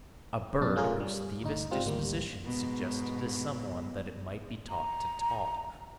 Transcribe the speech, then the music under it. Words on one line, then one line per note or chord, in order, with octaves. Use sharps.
A bird whose thievish disposition suggested to someone that it might be taught to talk.
B1 F#2 B2 D4 A6
A3 C#4 F4 G#4 A#4
G3
G1 D2 D#4
G#2 G3 C4 F4
G#1 D2 G3 A#3
G#2 B2
A#5